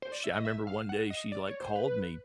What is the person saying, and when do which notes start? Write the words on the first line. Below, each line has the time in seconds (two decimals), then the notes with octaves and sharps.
sh I remember one day she like called me
0.02 C5
0.12 D5
0.24 E5
0.34 D#5
0.45 E5
0.67 F5
0.89 F#5
1.10 D#5
1.32 D5
1.47 C#5
1.60 C5
1.76 B4